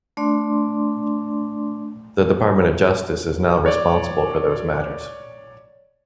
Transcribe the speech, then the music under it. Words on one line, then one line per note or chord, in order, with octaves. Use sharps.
The Department of Justice is now responsible for those matters.
A3 D4 D5 C6 D6
C#5 D5